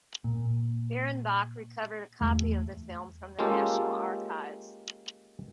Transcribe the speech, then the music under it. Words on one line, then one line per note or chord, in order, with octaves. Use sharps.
Birrenbach, recovered a copy of the film from the National Archives.
A#2
E2 A3
G#3 A#3 C#4 F4 G4 A4